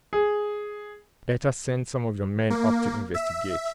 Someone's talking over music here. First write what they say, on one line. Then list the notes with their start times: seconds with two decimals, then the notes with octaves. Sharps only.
"Better send some of your men up to investigate."
0.13 G#4
2.50 A#3
3.14 E5